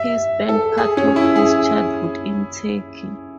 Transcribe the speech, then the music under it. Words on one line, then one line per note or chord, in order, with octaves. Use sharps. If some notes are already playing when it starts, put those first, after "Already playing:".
He spent part of his childhood in Turkey.
Already playing: E5
A4
G#4
C#4
E4
G#4